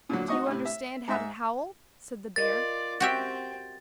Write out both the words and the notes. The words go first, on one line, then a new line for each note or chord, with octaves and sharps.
'Do you understand how to howl?' said the bear.
A#2 D3 F#3
D#4 F#4 D#5 C#6 D#6
A2 C3
E5
G#2 E5
F4 A#4 D5 D#5 A6
C4 F#4 G4 E5 G5